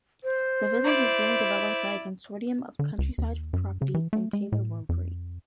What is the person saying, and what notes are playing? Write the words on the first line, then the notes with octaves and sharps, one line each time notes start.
The village is being developed by a consortium of Countryside Properties and Taylor Wimpey.
C5
E4 D5
D3
C#2
D#2
F#2
C#3
E3
A3
G#3
A2
F2